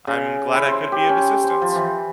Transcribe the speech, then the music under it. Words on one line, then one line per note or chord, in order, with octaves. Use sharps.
I'm glad I could be of assistance.
C#3
E4
C5
G4
C#4
C5
F3
E3